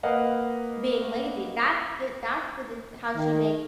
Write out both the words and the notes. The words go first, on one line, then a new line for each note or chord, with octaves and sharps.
being lazy, that's the that's the de how she makes
A#3 B4 D#5 F5 F#5
D#3